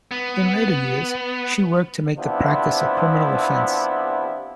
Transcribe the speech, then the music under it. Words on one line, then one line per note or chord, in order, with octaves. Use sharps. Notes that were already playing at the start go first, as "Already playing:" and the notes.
In later years, she worked to make the practice a criminal offense.
B3
C3 F3 B3 D4 E4